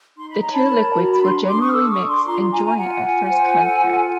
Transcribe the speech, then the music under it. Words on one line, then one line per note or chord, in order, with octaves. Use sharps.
The two liquids will generally mix and join at first contact.
D#4 C6
B5
C#5 A#5
A5 B5
A#4
F#4 A5
A#5
B5
D4 A#5 C6
D4 C6 D6
C#6 D#6
F6
A4 D6 E6
C#6 D#6
D4
C6 D6
F4 A#5 C6
F4 G#5 A#5
G#5 A#5
F4 F#5 G#5
F4
C5
A4
F4